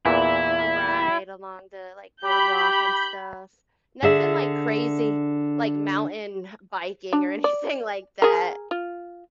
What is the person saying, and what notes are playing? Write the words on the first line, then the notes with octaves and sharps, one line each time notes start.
a ride along the, like, boardwalk and stuff. Nothing like crazy, like mountain biking or anything like that.
E2 A#2 E3 E4
G4 B5 G6
D3 G#4 E5
D4
D5
G#4 A#4
F4